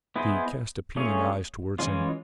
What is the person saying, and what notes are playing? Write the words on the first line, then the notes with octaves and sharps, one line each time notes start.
She cast appealing eyes toward him.
B3 E4 G#4 C5 D#5
A3 C#4 F4 G#4 C#5
E3 G#3 C#4 F4